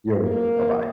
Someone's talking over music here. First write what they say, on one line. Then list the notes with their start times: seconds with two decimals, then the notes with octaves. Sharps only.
Yeah, yeah. Bye-bye.
0.21 A#3